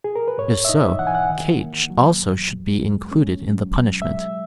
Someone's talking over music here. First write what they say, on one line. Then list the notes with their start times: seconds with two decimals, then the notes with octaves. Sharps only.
If so, Kate also should be included in the punishment.
0.04 G#4
0.16 A#4
0.28 B4
0.38 G#2 C#5
0.65 E5
0.69 D#4 D#5
0.99 E3 F#5
1.07 G#5
1.15 F#5
1.30 D#3
1.60 A#3
1.90 F#3
2.21 E2
2.50 E2
2.81 G#3
3.11 C#4
3.41 F#3
3.71 F#3
4.02 G#3 E5